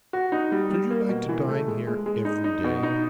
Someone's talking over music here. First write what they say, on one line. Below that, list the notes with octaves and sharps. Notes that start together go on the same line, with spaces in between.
Should you like to dine here every day?'
F#4
D#4
G3
G3
A#3
B2
E3
A3
G#3
G#3
G#3
D#4
D#4
B2
D#4